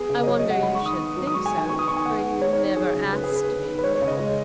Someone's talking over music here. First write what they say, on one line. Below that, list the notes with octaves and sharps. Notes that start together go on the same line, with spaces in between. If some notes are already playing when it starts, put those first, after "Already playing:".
"I wonder you should think so, for you never asked me."
Already playing: B3 G#4
C#3
D#5
F#3 C#5
D#5
C#3
F#5
G#3 B5
C#6
D#3
D#6
B3
F#3
D#6
G#3 C#6
G#5
D#3
G#5
B3 C#6
D#6
D#3 C#6
G#5
B3 F#5
D#3
D#4 C#5
C#5
D#4
C#5
F#3 G#4
C#3
C#4 B4
G#4
C#4
B4
B3
D#3
B4
G#3 C#5
C#5
C#3
D#5
G#3